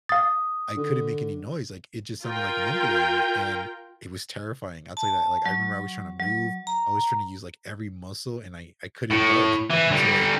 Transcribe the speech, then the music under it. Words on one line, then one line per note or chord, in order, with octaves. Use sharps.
I couldn't make any noise, like, it just sounded like mumbling, and it was terrifying I'll tell you that, like, I remember I was tryna move I was tryna use, like, every muscle, and I I couldn't budge up until, like,
F5 D#6 A6
D3
F4 A#4 G5
A5
F#3
F#3
A#5
A2
E3
D3 G3